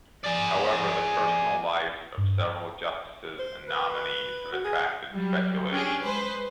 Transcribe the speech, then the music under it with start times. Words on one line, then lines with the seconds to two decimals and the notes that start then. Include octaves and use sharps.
However, the personal lives of several justices and nominees have attracted speculation.
0.24 G#4 D5
2.17 G2
3.39 C5
3.68 B4
4.52 F#4
4.64 G#4
5.14 F#3 G3
5.71 C#4 D4 G4 G#4
6.02 G#3 B4 C5